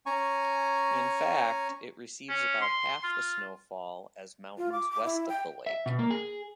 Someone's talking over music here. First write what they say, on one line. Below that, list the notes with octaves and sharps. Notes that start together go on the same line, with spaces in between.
In fact, it receives about half the snowfall as mountains west of the lake.
C#4 G#5 A#5 C#6
C#4
C6
F4
F4
D6
D6
E4
G5
E5
B2
A#3
G#4